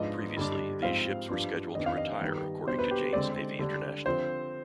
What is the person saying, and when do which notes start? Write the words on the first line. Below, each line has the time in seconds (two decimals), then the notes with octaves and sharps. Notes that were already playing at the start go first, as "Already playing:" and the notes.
Previously, these ships were scheduled to retire according to Jane's Navy International.
Already playing: G#2 F3 B3 D4 D#5
0.37 G2 D3 G3 D4
0.83 G#2 F3 C4 F5
1.29 G2 F3 B3 D4
1.75 F2 D#3 B3 D4 D#5
1.86 F5
1.97 D#5
2.21 G2 D#3 G3 B3
2.67 B2 G3 D4 C5
2.79 B4
2.91 G4
3.13 D3 G#3 C4 D5
3.59 D3 G3 D4
4.06 D3 F3 C4 C5